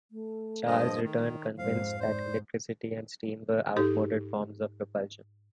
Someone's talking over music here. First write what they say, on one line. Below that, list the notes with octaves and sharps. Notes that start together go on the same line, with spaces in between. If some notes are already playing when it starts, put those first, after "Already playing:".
Charles returned convinced that electricity and steam were outmoded forms of propulsion.
A3
G2 F3 D#5
D#3
F2 G#2 C5 F5
G#2 C5 D5
G#2 D#4 G4 A4